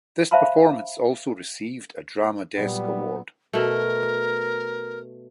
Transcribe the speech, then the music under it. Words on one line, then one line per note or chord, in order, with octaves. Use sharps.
This performance also received a Drama Desk Award.
C5 E5 F5 A5 B5 C6
A#2 F#3 G3 B3
B2 A3 A#4